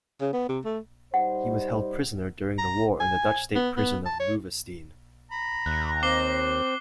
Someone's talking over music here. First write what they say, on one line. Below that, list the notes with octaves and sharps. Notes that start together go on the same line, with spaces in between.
He was held prisoner during the war in the Dutch state prison of Loevestein.
C#3
B3
C3
A3
G3 D#4 C5 F#5
A#5
G#5
B3
B3
A5
C#5
A#5 B5
D#2 F#6
C4 D6 C7 G7